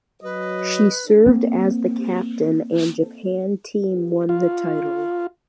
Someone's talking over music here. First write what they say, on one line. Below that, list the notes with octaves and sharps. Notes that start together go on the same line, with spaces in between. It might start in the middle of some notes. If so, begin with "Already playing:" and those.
She served as the captain and Japan team won the title.
F#3 B4 D#5
A#3 C4
F4